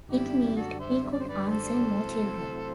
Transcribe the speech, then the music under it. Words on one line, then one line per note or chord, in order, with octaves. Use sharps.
It meant we could answer more children.
F#2 D3 G3 D4 E4 G4
F#4 A4
C5 E5
E5
D5
C5
B4 D5
A4 C5
C3 F#3 A3 C4 E4